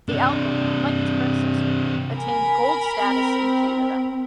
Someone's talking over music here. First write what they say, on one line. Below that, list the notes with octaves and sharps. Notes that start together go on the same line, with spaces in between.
The album, like its predecessor, attained Gold status in Canada.
C3 D4
A#4 G#5 B5
C4